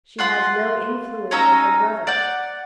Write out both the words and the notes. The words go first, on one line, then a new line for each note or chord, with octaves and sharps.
"She has no influence with her brother."
F4 F#5 C6
C#4 D#4 A#5 E6
D5 F#5 G6